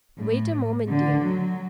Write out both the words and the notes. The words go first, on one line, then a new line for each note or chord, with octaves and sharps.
Wait a moment, dear.
A2
D3
F#3